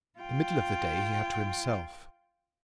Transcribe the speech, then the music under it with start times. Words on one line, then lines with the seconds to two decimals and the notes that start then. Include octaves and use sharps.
The middle of the day he had to himself.
0.19 F4 G5